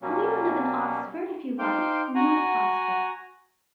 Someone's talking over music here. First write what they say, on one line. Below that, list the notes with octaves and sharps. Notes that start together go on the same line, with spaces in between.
I'll even live in Oxford if you like--North Oxford.
B2 F#3 G3 A#3 C#4
D#4 C5 F5 G5 C6 D6
F#4 F#5 G#5 A#5